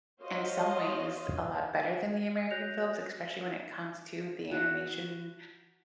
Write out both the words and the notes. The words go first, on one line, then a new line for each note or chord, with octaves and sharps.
in some ways, a lot better than the American films, especially when it comes to the animation
F#4 C5 C#5 D#5 F5
F#4 C#5 F#6 G6 A#6 F7
F#4